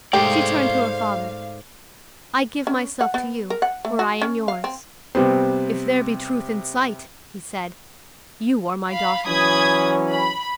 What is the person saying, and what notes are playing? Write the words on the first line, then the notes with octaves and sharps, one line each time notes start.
She turned to her father--"I give myself to you, for I am yours." "If there be truth in sight," he said, "you are my daughter."
G#2 G#3 A3 G4 C5 D5 F5
C#4
F#5
B3
A#4
F#5
A3
F#4
C#4
F5
C4
C3 G3 B3 C4
F5 B5
E3 F#3 C#4 B5 D#6 G#6
B5